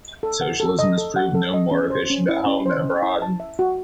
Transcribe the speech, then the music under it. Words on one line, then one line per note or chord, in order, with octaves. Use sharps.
Socialism has proved no more efficient at home than abroad.
A4
F#5
A4
D#5
A4
F#5
A4
D#5
C#4
C5
C#4
E4
C#4
C5
C#4
E4
A5
E5
F#4